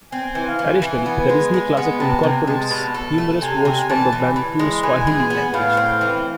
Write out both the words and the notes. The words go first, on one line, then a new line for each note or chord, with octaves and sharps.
Additionally, the Disney classic incorporates numerous words from the Bantu Swahili language.
C4 G#5
E3 G#5
F5
E3 G#5
E3
B3
G#3
G#3
B3
C3 A5
C3 G#5
G#3 A5
B2
A4
A3
C3 G#5
C3 G#5
E3 A5
E3
E3
G#3
E3 G#5
G#4
B3
A2 F5
C4
E3